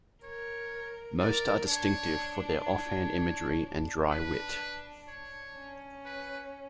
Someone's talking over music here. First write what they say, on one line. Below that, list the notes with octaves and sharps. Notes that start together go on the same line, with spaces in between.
Most are distinctive for their offhand imagery and dry wit.
A#4 C#5
A#4 D5
D4 C#5
C#5
D4
B4
C#5
C#4
B4